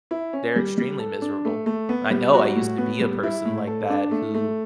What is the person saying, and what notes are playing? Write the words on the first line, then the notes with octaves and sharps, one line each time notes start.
They're extremely miserable. I know, I used to be a person like that who
E4
C#4
G3
G3
A4
D4
A3
A3
B3
G3
F#4
A2
B3
G3
E4
A2
A4
D4
A3
A3